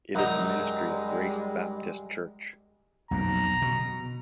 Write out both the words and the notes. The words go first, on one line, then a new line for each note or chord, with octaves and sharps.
It is a ministry of Grace Baptist Church.
F#2 G3 G#3 D#4
B1 F2 A#2 A#5
B2